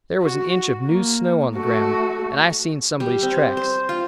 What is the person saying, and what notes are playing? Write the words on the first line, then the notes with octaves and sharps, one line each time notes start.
There was an inch of new snow on the ground, and I seen somebody's tracks.
F#4
A#3
A3 F#4
G3
C4
C5
F4